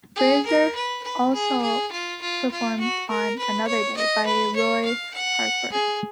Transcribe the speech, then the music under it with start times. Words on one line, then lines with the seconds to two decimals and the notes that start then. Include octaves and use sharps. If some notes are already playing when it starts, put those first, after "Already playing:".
Fraser also performed on "Another Day" by Roy Harper.
0.16 G#4
0.45 A#4
0.75 B4
1.03 B4
1.34 G#4
1.62 G#4
1.91 F4
2.21 F4
2.51 F4
2.80 F#4
3.09 A#4
3.39 B4
3.67 C#5
3.97 D#5
4.26 B4
4.56 C#5
4.85 F5
5.14 F#5
5.72 G#4